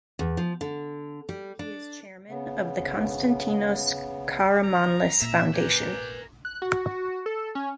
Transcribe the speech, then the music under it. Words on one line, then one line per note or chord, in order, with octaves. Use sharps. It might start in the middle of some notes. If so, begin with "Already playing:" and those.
He is chairman of the Konstantinos Karamanlis Foundation.
E2
F3
D3
G3
D4
C#3 B3
A#5
A#2 E5
G4 A#4 B4 G#5
F#6
F#4
A4
C#4